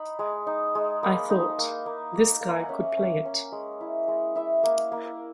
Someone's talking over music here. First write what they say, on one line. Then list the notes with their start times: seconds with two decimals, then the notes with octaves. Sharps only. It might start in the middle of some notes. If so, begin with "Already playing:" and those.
I thought, This guy could play it.
Already playing: D#4 B5
0.19 G#3
0.47 D#4
0.75 G#3
1.03 A#3 B5
1.30 D#4
1.58 A#3
1.86 A#3
2.14 A#3
2.41 A#3 A#5
2.50 G#5
2.60 F#5
2.69 C#4 E5
2.97 C#4
3.25 C#4
3.52 G#3
3.81 E4
4.08 G#3
4.36 E4 E5
4.63 A#3
4.92 A#3